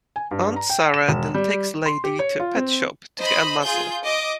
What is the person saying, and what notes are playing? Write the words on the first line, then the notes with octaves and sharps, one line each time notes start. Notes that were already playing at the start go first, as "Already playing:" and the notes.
Aunt Sarah then takes Lady to a pet shop to get a muzzle.
G#5
G2
A#5
G5
E7
E1
G3
C6
G4
C#5
F4
C4
C5 D#5 B5
F4 G#4 G6
D#5 D6